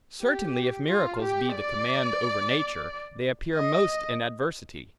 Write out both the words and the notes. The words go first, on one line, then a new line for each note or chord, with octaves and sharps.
Certainly if miracles be the command over nature, they appear most in adversity.
G4
F4
G4
D5
D#5